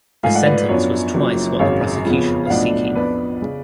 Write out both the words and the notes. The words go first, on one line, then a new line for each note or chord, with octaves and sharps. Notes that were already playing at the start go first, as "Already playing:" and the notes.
The sentence was twice what the prosecution was seeking.
G#2 F3 A3 F5 G#5
D5 F#5
B4 D5
B4
F#2 F3 B3 D4 C#5
F#1 F#2 F3
G#1 F#2 C#3 C#5 F5
F2 C#3 F3 B3
F5
B1 A2 F3 B3 D4 D5 F#5
F2 F3 B3 D4 B4 D5
C#3